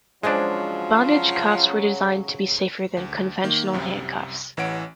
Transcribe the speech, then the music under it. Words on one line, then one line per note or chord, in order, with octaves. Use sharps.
Bondage cuffs are designed to be safer than conventional handcuffs.
C#3 F3 F#3 G#3 C#4 D4 C5 D#5
D2
D#3 A#3
C2 F#2 C3
A1 E3 C#5 F#5 D7